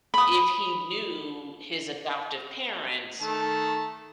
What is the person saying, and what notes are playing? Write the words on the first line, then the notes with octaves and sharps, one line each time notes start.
if he knew his adoptive parents,
B5 D#6
D#3 A3 A5